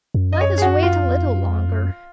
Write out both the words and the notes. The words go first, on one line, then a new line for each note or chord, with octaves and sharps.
"Let us wait a little longer."
F2
F#2
D#5
C#5
G#4
F#4
F4
F2
F#2
F2
F#2